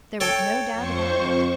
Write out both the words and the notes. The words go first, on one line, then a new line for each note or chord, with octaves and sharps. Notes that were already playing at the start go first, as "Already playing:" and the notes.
There was no doubt about it.
A4 C#5 G5
F2 C5 C#6